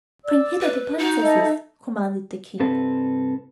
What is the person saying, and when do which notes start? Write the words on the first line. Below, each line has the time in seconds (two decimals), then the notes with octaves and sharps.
"Bring hither the princesses," commanded the King.
0.25 D5 E6
0.61 B4
0.98 D#4 F#4
1.21 A4 D#5 E5
2.60 C2 G2 C4 A4 B4